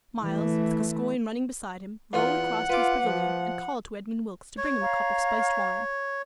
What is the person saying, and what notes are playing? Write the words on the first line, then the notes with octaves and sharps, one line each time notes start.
Myles, with Gascoyne running beside him, rode across to his pavilion, and called to Edmund Wilkes to bring him a cup of spiced wine.
E3 A3
E2 B3 F4 F#5
F4 B4 D6
F3
C#5
F5 A#5